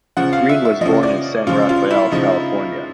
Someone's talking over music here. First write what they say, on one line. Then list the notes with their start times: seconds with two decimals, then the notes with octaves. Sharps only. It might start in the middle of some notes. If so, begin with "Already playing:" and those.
Green was born in San Rafael, California.
0.17 C#3 F3 F#5
0.33 F5
0.49 E5
0.65 E5
0.81 C#3 F3 D#5
1.03 D5
1.47 C#3 F3 F4
1.69 F4
1.91 E4
2.12 C#3 F3 D#4